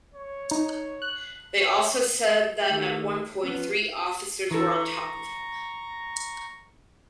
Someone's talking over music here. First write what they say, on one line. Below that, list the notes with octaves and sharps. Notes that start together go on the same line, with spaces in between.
They also said that at one point three officers were on top of him.
C#5
D#4
F#6
C#5
D#3 A3 G4
F3 B3 C#4
E3 A4 A#5 C#6